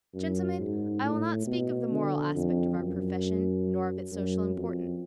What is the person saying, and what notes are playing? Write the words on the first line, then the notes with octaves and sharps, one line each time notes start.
Gentlemen, I will not speak of the moral aspect of our profession nor of its social importance.
F#2
G#2
A2
B2
D3
F2
F#2
F#2
F2